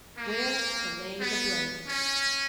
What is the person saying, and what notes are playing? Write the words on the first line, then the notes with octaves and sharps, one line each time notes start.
Where to Lay the Blame.
A#3
B3
C#4